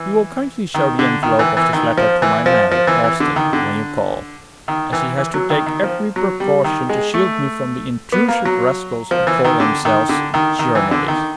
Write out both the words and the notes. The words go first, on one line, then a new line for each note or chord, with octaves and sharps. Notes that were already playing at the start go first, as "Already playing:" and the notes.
You will kindly show the envelope of this letter to my man, Austin, when you call, as he has to take every precaution to shield me from the intrusive rascals who call themselves 'journalists.'
Already playing: E3
D#3
D3
D#3
E3
E3
D#3
F3
E3
F3
F3
E3
E3
D3
D#3
D3
D#3
E3
E3
F#3
D#3
D#3
F3
F#3
G3
D#3
G#3
A3
B3
A#3
F#3
F3
E3
D#3
D3
D#3
D3
D#3
D#3
E3
D3
D#3